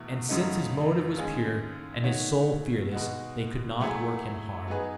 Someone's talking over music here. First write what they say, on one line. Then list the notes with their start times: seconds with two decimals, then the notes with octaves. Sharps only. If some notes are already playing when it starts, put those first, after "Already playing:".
And, since his motive was pure and his soul fearless, they could not work him harm.
Already playing: E2 B2 A3 E4
0.29 F#2 C#3 F#3 A3 D#4
1.16 D#2 D#3 G#3 C#4 G#4
2.04 D#3 A3 D#4 F#4 C#5
2.92 B2 G#3 D#4 F#4
3.80 F#3 A3 E4 G#4
4.68 F#3 B3 D#4 G#4 B4